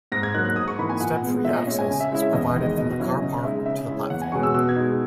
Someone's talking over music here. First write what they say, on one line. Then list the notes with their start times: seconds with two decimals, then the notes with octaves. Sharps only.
Step-free access is provided from the car park to the platform.
0.12 G#2 A#6
0.23 G#6
0.34 F#3 A#3 D#4 F#6
0.45 F#6
0.56 G#2 D#6
0.68 C#6
0.78 E3 A#3 D#4 B5
0.89 G#5
1.01 A#2 F#5
1.23 G#3 B3
1.44 A#2 E5
1.56 D#5
1.67 C#4 E5
1.71 G#3
1.79 G#5
1.89 C#3
2.00 E5
2.11 G#3 C#4 E4
2.22 E5
2.33 E2 D#5
2.47 D#5
2.55 D#3 G#3 D#4
2.63 D#5
2.77 B2 D#5
2.99 F#3 C#4 E4
3.22 C#3 D#5
3.44 G#3 D#4 E5
3.66 C#3 E5
3.88 G#3 C#4 E4
4.10 E2 F#5
4.22 G#5
4.32 B2 G#3 C#4 C#6
4.43 E6
4.54 B2 E6
4.69 G#6
4.76 G#3 D#4